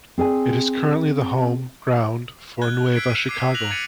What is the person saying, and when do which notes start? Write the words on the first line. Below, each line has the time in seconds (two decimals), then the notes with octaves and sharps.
It is currently the home ground for Nueva Chicago.
0.18 C4 G#4 D5 G#5
2.61 F6 F#6 G#6 G7
2.95 E6 G#6 B6 C7 D7
3.10 D#7
3.29 D6 C7
3.54 F#6 A#6 F7 F#7
3.71 G#6 A6 B6 C#7 D#7